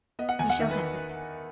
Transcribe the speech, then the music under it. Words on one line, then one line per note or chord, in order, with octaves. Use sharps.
"You shall have it."
B3 D#5
F#5
E2 G#5
F#5
D#3 E5
B4